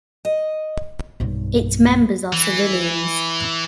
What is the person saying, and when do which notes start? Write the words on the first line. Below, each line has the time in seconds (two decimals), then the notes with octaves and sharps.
Its members are civilians.
0.25 D#5
1.20 B1 G2
2.33 E3